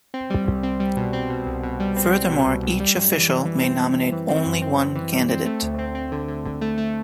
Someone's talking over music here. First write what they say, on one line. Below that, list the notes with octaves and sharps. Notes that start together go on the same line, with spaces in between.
Furthermore, each official may nominate only one candidate.
C4
G3
C2
C4
G3
B2
C4
B2
C2
B2
G3
C4
C4
B2
C2
C2
G3
F#2
E3
E3
E3
C4
E3
E3
E3
C4
F#2
C4
C4
E3
G3
C4
A3
D2
C4
C4
D3
D3
D3
A3
A3